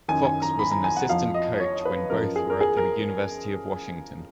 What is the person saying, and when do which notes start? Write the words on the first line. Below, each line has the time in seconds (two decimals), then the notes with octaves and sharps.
Fox was an assistant coach when both were at the University of Washington.
0.08 F#2 D#3 G#5
0.25 G#5
0.42 A#5
0.59 B5
0.71 A#5
0.84 G#5
0.97 F#5
1.09 F2 F3 F5
1.34 D#5
1.60 C#5
1.85 B4
2.10 F#2 F3 A#4
2.36 G#4
2.50 A#4
2.61 G#4
2.77 A#4